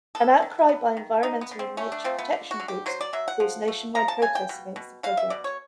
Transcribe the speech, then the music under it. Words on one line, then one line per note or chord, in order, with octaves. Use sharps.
An outcry by environmental and nature protection groups caused nationwide protests against the project.
B3 A4
D#3
B3
D#3
D3 D#4
B3
D3
C4
A3 C#4
D4
F3 C4
B3
D3
F#4
D3
G4
F#3 C5
D5
F#3 E5
F#5
F3
A3
F3 A#5
A5
C#3 G#5
G5
B2
B2
B2 F5
E5
B2 D5
C#5